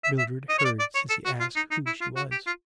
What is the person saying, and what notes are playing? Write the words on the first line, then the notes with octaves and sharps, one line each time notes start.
Mildred heard Cissy ask who she was.
E5
E5
D#5
C#5
D5
D5
C#5
A4
F#4
F4
D#4
D#4
E4
F4
F#4
G4
F4